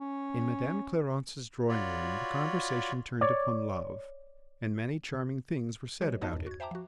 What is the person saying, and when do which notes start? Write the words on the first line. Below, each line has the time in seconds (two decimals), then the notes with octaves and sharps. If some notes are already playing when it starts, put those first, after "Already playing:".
In Madame Clarence's drawing-room the conversation turned upon love, and many charming things were said about it.
0.01 C#4
1.69 F4 F#4 C#5 D5 B5
3.21 C#5 D5
6.01 F#3 G#3 G4 B4 C#5 D#5
6.21 B3 D#4 F#4 C#5 D#5 A5
6.33 E2 G2
6.47 F#4 G#6
6.60 C5 E5 G5 A5 A#5 D6
6.71 F3 F#4